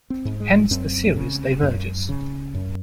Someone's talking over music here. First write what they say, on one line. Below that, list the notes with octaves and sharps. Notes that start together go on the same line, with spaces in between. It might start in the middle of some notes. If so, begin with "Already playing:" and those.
Hence the series diverges.
C4
G#2
G#3
F#2 C4
C#3
F#2
C#3
F#2